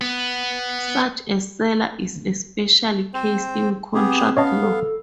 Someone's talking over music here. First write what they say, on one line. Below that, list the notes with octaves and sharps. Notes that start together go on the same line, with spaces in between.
Such a seller is a special case in contract law.
B3
C4 C5
B3 C4 G4 G#4
B3 C#4 C#5 D#5 F5 A5
A4